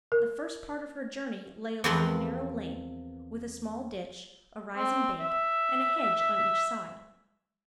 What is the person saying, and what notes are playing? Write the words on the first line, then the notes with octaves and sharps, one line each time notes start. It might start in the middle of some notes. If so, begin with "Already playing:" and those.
The first part of her journey lay along a narrow lane, with a small ditch, a rising bank, and a hedge on each side.
A#4
E2 F3 C4 A#4 B4 C6
C4
E5